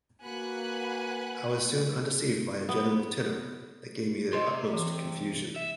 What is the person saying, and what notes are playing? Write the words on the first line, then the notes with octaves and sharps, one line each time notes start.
I was soon undeceived by a general titter, that gave me the utmost confusion.
A#3 F#4 B4 F#5 G#5 B5 F#6
B3
C3 D#5 C6
E3
E5